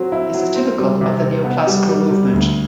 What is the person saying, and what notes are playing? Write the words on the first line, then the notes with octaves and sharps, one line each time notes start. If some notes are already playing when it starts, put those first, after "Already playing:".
This is typical of the Neo-classical movement.
Already playing: F#3 C4
E4
F#3
C4
G3
C3
C4
B3
G3
G3
G3
D2